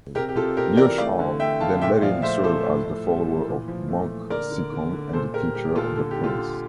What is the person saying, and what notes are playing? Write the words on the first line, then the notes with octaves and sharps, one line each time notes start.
Liu Shao then let him serve as the follower of Monk Sikong and the teacher of the prince.
C3 G4 A#4
G4
C3 F4 A4
C3 G4 A#4
E3 A#4 D5
A3 D5 F5
D3
A3 E5 G5
D3 F5 A5
A#2 E5 G5
F3 D5 F5
A3 C5 E5
F3 A4 C5
A2
A2
G3
E3
A#2
F3
A3
A#2
D3 A#4 D5
D3
D3
D3
A#2 A4 C5
A#2 G4 A#4
G3 G4
A#2 F4 A4
D3 A4
G4
D3
F4 A4
D3